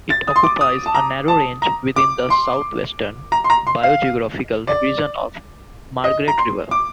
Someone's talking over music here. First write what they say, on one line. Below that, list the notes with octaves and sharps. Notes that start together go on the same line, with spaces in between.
It occupies a narrow range within the southwestern biogeographical region of Margaret River.
A6
D#6
C6
D6
D#6
A5
A#5
A5
A#5
D6
C6
A#5
C6
A#5
C6
F5
D5
D#5
A#5
C6
D6